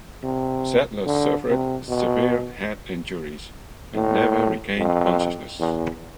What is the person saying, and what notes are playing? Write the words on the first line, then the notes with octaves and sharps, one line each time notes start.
Sadler suffered severe head injuries and never regained consciousness.
C3
D3
C3
B2
A2
F2
E2